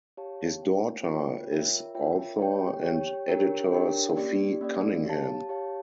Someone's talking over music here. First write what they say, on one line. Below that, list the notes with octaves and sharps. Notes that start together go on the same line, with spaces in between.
His daughter is author and editor Sophie Cunningham.
G4 C#5 F5 A5
F4 A#4 C#5 G5
F4 A#4 C#5 G5
F4 A#4 C#5 E5 G5
F4 A#4 C#5 E5 G5
G4 C#5 G5
G4 C#5 G5
D4 G4 A#4 C#5 G5
D4 G4 A#4 C#5 G5
A#3 C#4 G4 D5
A#3 C#4 G4 D5
G4 C#5 F5 A5
G4 C#5 F5 A5